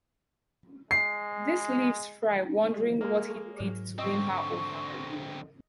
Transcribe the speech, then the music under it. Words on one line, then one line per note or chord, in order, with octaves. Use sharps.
This leaves Fry wondering what he did to win her over.
G#3 C7
G#3 A#3
G#2 F#3
D3 C4 D#5 C#6 E6